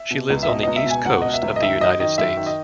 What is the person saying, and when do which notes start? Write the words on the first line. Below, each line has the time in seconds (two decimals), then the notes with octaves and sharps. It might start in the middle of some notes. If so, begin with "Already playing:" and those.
She lives on the East Coast of the United States.
Already playing: E5
0.11 B2
0.30 C#2
0.43 E5
0.48 B2 D#5
0.63 C#2 D#5
0.76 E5
0.86 B2 G#5
1.05 C#2 F#5
1.22 B2 D#5
1.34 E5
1.42 C#2
1.56 D#5
1.61 D#3 E5
1.81 F#2 D#5
2.00 D#3 D#5
2.18 F#2 E5
2.37 D#3
2.47 D#5